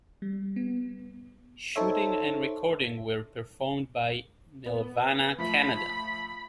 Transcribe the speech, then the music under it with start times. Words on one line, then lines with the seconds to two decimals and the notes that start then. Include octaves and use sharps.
Shooting and recording were performed by Nelvana Canada.
0.22 G3
0.56 B3
1.76 D#4 A4 C5 C#5 E5
4.66 B3
5.39 F3 A3 B5